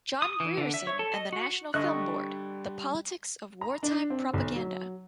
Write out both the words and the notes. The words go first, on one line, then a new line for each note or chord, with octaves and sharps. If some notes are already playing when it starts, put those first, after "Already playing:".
John Grierson and the National Film Board: The Politics of Wartime Propaganda.
D#6
E3
D3
E5
C#5
A4
D#5
F#4
D3 G3 D4 D#5 E5 C#6 F#6
A#5
D4
C4
B1
F#3